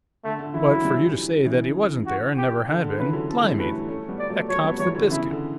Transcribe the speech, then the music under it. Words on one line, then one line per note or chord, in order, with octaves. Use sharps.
But for you to say that he wasn't there, and never had been,--blimey! that cops the biscuit.
D3 A3
D3
C#3 E3 E4
D3 F#3
E3 G3
C#3 E3
F#4
G4
D3
D3
C#3 E3 B4
D3 F#3
A4
E3 G3
F#3 A3 B4
A3 C#4
G3 B3
D5
F#3 A3
F#3 A3 C#5
G3 B3
E3 G3 C#5
D3 F#3
C#3 E3 E4
D3